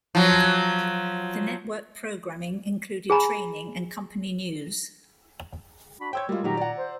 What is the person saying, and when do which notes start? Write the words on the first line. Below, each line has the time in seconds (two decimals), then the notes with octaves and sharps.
The network programming included training and company news.
0.15 F3 F#3
3.10 G#4 G#5 A#5 B5
6.00 D4 F#4 B5
6.13 C5 C#5 G5 E6 G#6
6.29 G3 G#3 F4 A#4
6.44 A#2 D#3 F#3 G4 A#5
6.57 D5 F#5
6.77 C5